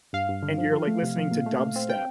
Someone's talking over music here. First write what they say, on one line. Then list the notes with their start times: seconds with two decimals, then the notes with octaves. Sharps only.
and you're, like, listening to dubstep
0.13 G2 F5
0.29 G2
0.43 D3
0.58 F3
0.73 F3
0.87 A3
1.02 C3
1.17 F3
1.31 A#2
1.46 A3
1.60 A3
1.76 C4
1.89 G5